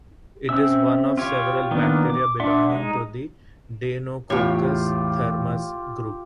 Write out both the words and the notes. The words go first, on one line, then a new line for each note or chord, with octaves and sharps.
It is one of several bacteria belonging to the "Deinococcus-Thermus" group.
C4 C#4 E5 E6
F4 G4 C#5
D#3 A#3 B3 D4 F4
D6
D4 D5 E5 F#5 C6
G#3 D#4
E2 A2 F4 G4 C#5